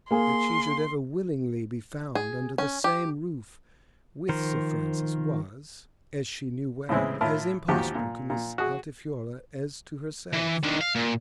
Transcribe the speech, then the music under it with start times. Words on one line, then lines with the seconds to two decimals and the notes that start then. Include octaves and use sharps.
That she should ever willingly be found under the same roof with Sir Francis was, as she knew well, as impossible to Miss Altifiorla as to herself.
0.11 A#3 G#4 C6
2.15 G#4
2.58 C#4
2.84 G4
4.29 D#3 F3 A#4 C5
6.89 A2 C#3 E3 G#3 C4 E4
7.21 A2 E4 F4 A#4 A5
7.68 D#2 G#2 F3 F#4 G4 A5
7.95 A#2
8.30 A#2
8.58 F#4 G#4
10.34 E3
10.64 D#3 D4
10.81 F5
10.95 A#2